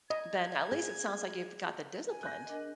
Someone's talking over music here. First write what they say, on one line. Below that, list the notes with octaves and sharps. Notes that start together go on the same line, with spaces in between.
then at least it sounds, like, you've got the disciplined.
D#5 G#6
G#4
G#5
F#6 G6 A#6
D4 A#4 D#5
G#4